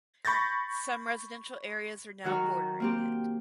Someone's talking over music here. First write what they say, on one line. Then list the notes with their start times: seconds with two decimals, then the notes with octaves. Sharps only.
Some residential areas are now bordering it.
0.25 B5 C#6 G6 A6 A#6
2.24 D#3 F#3 F#4 A#5
2.80 A#3 C4 G4